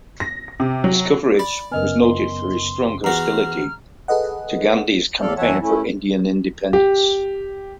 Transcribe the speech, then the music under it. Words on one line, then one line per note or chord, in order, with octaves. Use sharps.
His coverage was noted for his strong hostility to Gandhi's campaign for Indian Independence.
A#6
C3
F#3
D5 B5
F#2 C#3 B3 A#4 D#5 G#5 F6
C6
E2 F#4 A#5 F6
G#4 A4 B4 D#5 F#5
E2 A2 A4 D5 F5
F#2 E3 C#5 E5 F#5 A5
A3 C#4 E4
G4